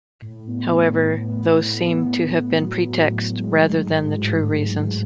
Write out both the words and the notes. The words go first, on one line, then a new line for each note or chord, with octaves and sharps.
However, those seem to have been pretexts rather than the true reasons.
A2
B3
A2
A2
B3
A2
B3
A2
B3
F#3
A2
F#3
G#3
G#2
G#3
G#2
G#2
G#2